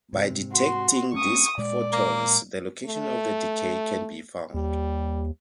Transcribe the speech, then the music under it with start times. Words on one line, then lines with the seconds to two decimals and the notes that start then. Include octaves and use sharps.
By detecting these photons the location of the decay can be found.
0.13 G#2 C3
0.54 F#4 C6
1.14 A3 C4 C#4 C#6 D#6
1.58 A#2 G#3 D5
1.93 A#3
2.86 A3
4.54 D#2 G3